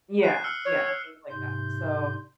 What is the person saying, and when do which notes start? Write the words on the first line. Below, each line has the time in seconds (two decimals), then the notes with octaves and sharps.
yeah, yeah, things like that, so,
0.23 F#6 C7
0.44 E6 F6 C#7
0.65 C#5
1.30 G#2 C3 C6 G6